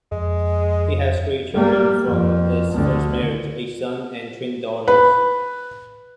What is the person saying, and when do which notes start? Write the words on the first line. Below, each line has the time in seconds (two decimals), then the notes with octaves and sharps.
He has three children from his first marriage-a son and twin daughters.
0.12 F2 G#3
1.54 G3 A#3
2.05 F2
2.73 D2 D3
4.88 B4